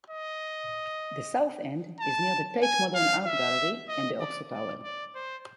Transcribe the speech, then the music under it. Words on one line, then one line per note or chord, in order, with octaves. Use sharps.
The south end is near the Tate Modern art gallery and the Oxo Tower.
D#5
A5
G#5
F5
E5
D#5
D5
D5
D5
C5